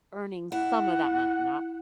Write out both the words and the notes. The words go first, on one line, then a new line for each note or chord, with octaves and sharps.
earning some of that money, not,
E4 F#5